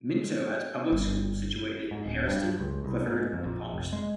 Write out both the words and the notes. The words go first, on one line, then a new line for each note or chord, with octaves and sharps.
Minto has public schools situated in Harriston, Clifford and Palmerston.
G1
G#2
D1
G2
C#2
C2
G#2
F2
A#1
F1
G#3